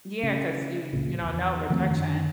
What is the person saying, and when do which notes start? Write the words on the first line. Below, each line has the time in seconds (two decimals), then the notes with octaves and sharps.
Yeah, 'cause you you don't know, rejection.
0.23 C#3
0.93 C#2 A#2 C#3
1.24 E2
1.70 D#3 F3 A3 C4
1.90 F#2 D3 D#3